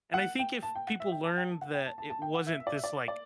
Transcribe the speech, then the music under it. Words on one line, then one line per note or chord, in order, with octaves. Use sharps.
and I think if people learned that it wasn't this, like,
F#5
G5
A5
G5
F#5
E5
G5
A5
G5
A5
F#5
G5
A5
A5
A5
G5
F#5
E5
E5
D5
E5
D5
D5